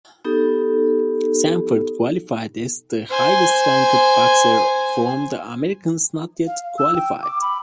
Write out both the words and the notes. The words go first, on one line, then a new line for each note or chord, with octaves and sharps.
Sanford qualified as the highest ranked boxer from the Americas not yet qualified.
B3 D#4 G4 A4
C5 G#5
F5
E6
G5
D6
B5